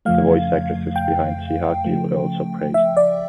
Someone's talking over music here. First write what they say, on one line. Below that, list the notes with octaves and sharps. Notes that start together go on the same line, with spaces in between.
The voice actresses behind Chiaki were also praised.
F2 C#3 F3 A3 F5
G5
C#3 F3 A3
E5
D5